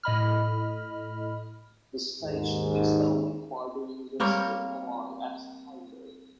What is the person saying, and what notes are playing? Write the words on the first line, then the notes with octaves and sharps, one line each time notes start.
The station is owned by the University of Hawaii at Hilo.
A2 D#5 B5 F6
D#2 G#2
G3 A#3 C4 C#5